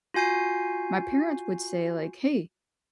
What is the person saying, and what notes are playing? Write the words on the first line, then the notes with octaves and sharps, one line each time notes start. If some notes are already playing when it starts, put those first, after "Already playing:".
my parents would say like, "Hey,
F4 F#4 G#5 G6 C7